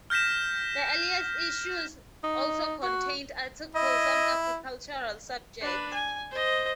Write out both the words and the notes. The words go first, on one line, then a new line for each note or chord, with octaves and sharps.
The earliest issues also contained articles on agricultural subjects.
F6 G6 A#6 B6 E7
D#4
F#4
E4 D#5
D4 B4
G#5
C5 D#5